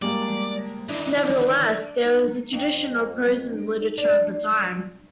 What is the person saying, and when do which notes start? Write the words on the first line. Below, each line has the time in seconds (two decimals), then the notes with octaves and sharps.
Nevertheless, there was a tradition of prose in the literature of the time.
0.02 G3 G#3 A#3 D5
0.89 D#3 E3 D4
1.23 D4
2.53 F2
3.98 D4